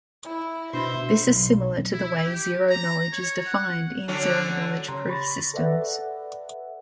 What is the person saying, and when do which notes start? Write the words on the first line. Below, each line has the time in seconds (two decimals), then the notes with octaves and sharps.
This is similar to the way zero-knowledge is defined in zero-knowledge proof systems.
0.24 E4
0.73 B2 D4 C5 E5 B5
1.27 B1
1.92 E4
2.25 G4
2.70 A#5
3.12 C#5
3.46 F#5
4.08 D3 F#3 C#4
4.88 C#3 G4 C#5 A#5 C6
5.09 B5 C#6 A6 A#6
5.54 A4 B4 D5 E5 F#5